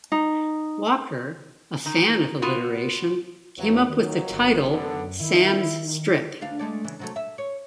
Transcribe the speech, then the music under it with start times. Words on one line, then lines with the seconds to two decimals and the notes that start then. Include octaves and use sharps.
Walker, a fan of alliteration, came up with the title "Sam's Strip".
0.12 D#4
1.86 D#3
2.42 B3 F4 F#4
3.58 E2 C#3 E3 F#3
3.89 D#2 D#3 F#3
4.30 G1
4.74 F#2 D3 B3
5.21 D#3 E4
6.41 D2 D4 F5
6.59 G#3 A3 D5
6.84 C#3 E3
6.99 C3 F#3 A3
7.16 E5
7.38 C#5